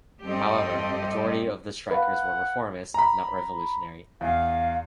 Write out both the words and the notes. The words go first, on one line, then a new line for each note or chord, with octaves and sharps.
However, the majority of the strikers were reformist, not revolutionary.
G2 G3 C4 G4 A4 D#5
B4 F5 F#5
A#5 B5
E2 F5